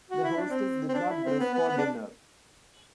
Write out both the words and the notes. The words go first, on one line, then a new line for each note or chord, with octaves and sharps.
The hostess did not dress for dinner.
F#4
E4
D4
C4
C4
D4
E4
C4
B3
B3
B3
D4